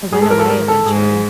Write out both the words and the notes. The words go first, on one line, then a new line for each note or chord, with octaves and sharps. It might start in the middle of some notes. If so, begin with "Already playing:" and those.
it went away eventually.
G#2 G#4
A4
A#4
A4
A#4
A4
G#2 G#4